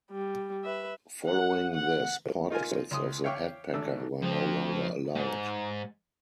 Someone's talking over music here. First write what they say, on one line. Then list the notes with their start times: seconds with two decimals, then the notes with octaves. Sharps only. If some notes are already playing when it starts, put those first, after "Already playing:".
Following this, portraits of the head packer were no longer allowed.
0.11 G3
0.64 B4 E5
1.29 F#5
1.74 F#5
2.50 D#4 F4 A#4 G#5
2.91 C#2 C6 D#6
3.24 C#5 E5 F5 G5 C#6 D6
3.74 G#1 A3 D4 E6
4.22 F2 F3
5.15 G#2